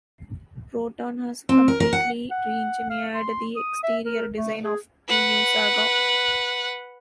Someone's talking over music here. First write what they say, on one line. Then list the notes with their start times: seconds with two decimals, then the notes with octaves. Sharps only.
Proton has completely re-engineered the exterior design of the new Saga.
1.49 C4
1.68 A#4
1.80 A#4
1.93 F#5
2.31 F#5
2.90 F5
3.14 C6
3.56 D#6
3.83 E5
4.06 A#4
4.36 A3
4.64 G#4
5.08 B4 F#5